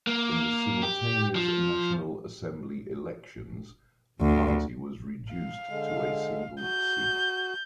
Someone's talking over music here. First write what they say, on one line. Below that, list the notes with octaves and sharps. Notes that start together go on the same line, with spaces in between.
In the simultaneous National Assembly elections, the party was reduced to a single seat.
A#3
G4
F3
D2
F5
D3 G#3
F#4 G6